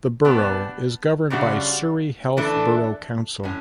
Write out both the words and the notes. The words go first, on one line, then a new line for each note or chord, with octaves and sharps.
The Borough is governed by Surrey Heath Borough Council.
B2 G3 B3 D4
F#2 C#3 G3 D4 F#4
E3 A3 D4 A4
A2 F#3 C#4